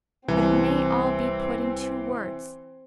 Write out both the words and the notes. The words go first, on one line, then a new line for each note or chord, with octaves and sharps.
But it may all be put in two words.
C2 E3 C4